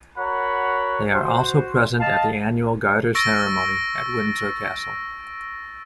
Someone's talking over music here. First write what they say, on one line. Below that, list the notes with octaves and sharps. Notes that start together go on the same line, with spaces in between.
They are also present at the annual Garter Ceremony at Windsor Castle.
F#4 A#4 C#5 F#5 B5
F#4 C5
D#5 F5 A5
C#6 E6 A6 A#6 D7